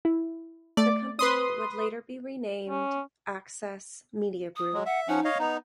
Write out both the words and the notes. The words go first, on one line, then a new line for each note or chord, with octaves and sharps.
The company would later be renamed Access Media Group.
E4
A3 D5
B4 C6 D#6
C#4
D#6
F#3 G#3
E5 F#5
F3 C#4 D#4 F#5
C#5 D#5 F5
B3 D#4 A#5